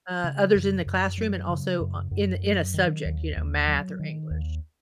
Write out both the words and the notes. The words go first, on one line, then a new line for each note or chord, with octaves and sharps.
uh, others in the classroom and also o in a in a subject, you know, math or english.
C#3
F#2
F#2
F#3
C#3
F#2
F#2
F#3
D#3
D#2
D#2
F#3
D#3
D#2